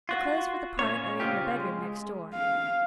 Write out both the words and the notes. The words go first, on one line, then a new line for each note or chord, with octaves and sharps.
The clothes for the part are in your bedroom next door.
F4 F#4
A#2 C#4 C#5
C#3 C4 D#4 F4 G4
G#3
F5